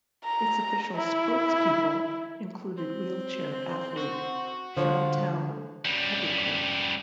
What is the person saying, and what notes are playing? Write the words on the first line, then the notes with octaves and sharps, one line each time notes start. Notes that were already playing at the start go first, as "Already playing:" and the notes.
Its official spokespeople included wheelchair athlete Chantal Petitclerc.
A#5
E4
C4
F#4
D3 F3 C#5
F#2 G3